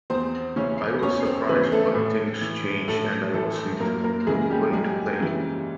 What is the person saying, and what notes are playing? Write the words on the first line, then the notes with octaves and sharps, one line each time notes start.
I was surprised but things change and I wasn't going to play.
E2 C4 C5
C#3 E3 C#4 C#5
E2 C#4 C#5
C4 C5
C#3 E3 B3 B4
A3 A4
A2
E3
A2 A3 A4
E3 A3 A4
F#2 A#3 A#4
A#3 A#4
C#3 E3 G#3 G#4
G3 G4
F#2 G#3 G#4
C#3 E3